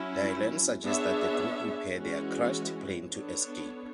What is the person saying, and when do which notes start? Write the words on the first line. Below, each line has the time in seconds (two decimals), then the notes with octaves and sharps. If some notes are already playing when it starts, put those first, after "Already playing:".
Dylan suggests that the group repair their crashed plane to escape.
Already playing: F#3 C#4 E4
0.84 B3 D4 G#4 C#5 E5
1.96 E3 G#3 C#4 F#4
3.08 B3 D4 A4 C#5